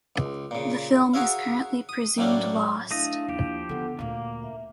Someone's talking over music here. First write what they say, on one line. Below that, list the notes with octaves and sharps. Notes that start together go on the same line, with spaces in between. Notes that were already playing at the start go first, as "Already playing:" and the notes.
The film is currently presumed lost.
C#2
A#2 C#3
F#4 G#4 A#4 C#5 E5 F5
D#6
F#2 A2 A3 A#3 C#4 D4
A3 D4 E4 D#5 F5
D#2 F3 G4
D3 E3 B3 A4 F#5
D2 A#2 A#3 F5
E5